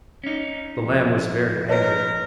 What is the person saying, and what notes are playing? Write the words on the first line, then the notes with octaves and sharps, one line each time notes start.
The lamb was very angry.
C#4 D#4
F2
A#4 B4 C#5 D#5